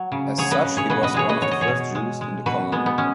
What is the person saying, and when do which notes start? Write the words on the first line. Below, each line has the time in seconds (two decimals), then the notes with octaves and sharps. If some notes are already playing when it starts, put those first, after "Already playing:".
As such he was one of the first Jews in the colony.
Already playing: F#3
0.12 C#3
0.38 F#3 G#4 C#5
0.51 B4 D#5
0.65 C#3
0.77 G#4 C#5
0.90 B2 B4 D#5
1.03 B4 D#5
1.14 G#3 G#4 C#5
1.29 B4 D#5
1.42 B2 C#5
1.51 D#5
1.61 G#4 C#5
1.68 B2
1.95 G#3
2.21 G#3
2.46 B2 F#4 B4
2.72 G#3 B3
2.86 B3
2.98 G#3 C#4